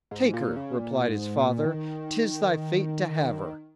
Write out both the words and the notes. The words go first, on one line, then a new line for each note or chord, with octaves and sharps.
"Take her!" replied his father, "'tis thy fate to have her!"
G#2
A#2
C#3
A#2
G#2
A#2
D#3